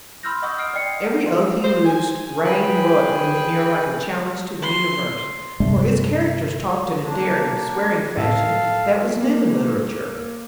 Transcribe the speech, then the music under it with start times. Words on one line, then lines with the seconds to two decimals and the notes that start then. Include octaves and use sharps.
Every oath he loosed rang heroically in the ear like a challenge to the universe; for his characters talked in a daring, swearing fashion that was new in literature.
0.23 B5 C6 E6 F6 G6 A#6
0.42 D#5 F#5 C#6 D#6 E6
0.57 F#5 D#6 F6 C7 D7
0.74 D5 D#5 G5 C7 C#7
1.04 F#5
1.26 C6
1.64 C5
1.85 G#5
2.45 G#4 B4 G5 G#5
4.63 C6
5.60 G2 C3 G3 A3
7.04 A#3 D4
8.17 A2 A4 F5
9.21 A#3